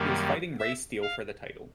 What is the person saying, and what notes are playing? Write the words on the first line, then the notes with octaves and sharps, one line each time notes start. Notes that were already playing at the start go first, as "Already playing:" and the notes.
He was fighting Ray Steele for the title.
Already playing: F#2 D#3 G3 A#3
E5
F5